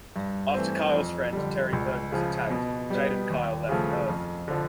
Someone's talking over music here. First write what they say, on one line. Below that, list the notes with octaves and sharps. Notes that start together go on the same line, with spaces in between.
After Kyle's friend, Terry Berg, was attacked, Jade and Kyle left Earth.
G2
E3 A3 C4
F2
D3 G3
C#2
C#3 F3
B2
G3 B3
D#2
C#3 F3 A3
F2
D3 F3